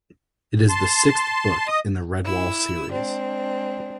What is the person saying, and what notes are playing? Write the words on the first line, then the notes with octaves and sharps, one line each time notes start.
It is the sixth book in the "Redwall" series.
A5 C6
D#5 D#6
E4 E6
G#3 C4 D4